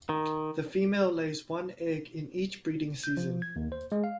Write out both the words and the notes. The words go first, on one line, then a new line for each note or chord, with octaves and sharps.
The female lays one egg in each breeding season.
D#3
G6
F3
G#6
D#2
C5
G#3
F5